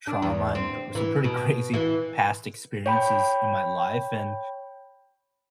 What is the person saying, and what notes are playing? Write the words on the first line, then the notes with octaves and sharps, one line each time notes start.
trauma, and p some pretty crazy past experiences in my life, and,
D4
E2
C4
E3
B2
E3
C#5 G5 B5